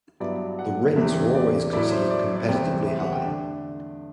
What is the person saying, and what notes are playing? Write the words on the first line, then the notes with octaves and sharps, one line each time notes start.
The rents were always considered competitively high.
G2 F#3 B3 E4 D5
F#5
E2 C3 G3 D4 E5
D5
A2 F#3 A3 E4 D5
C5
D5
D5
E2 C3 G3 C4 E4 G5
E5
F#5
G5
D3 A3 D4